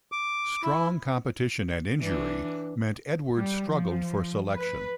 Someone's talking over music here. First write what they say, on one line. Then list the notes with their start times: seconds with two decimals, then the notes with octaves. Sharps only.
Strong competition and injury meant Edwards struggled for selection.
0.12 D6
0.63 E4
2.02 E3 D4
3.38 G3
3.70 F3
4.56 B4